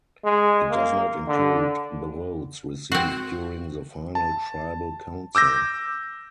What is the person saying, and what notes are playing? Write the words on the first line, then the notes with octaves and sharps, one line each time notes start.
It does not include the votes received during the final Tribal Council.
G#3
A#3
D3
C4 F#4
A5
D6 E6 G6 A#6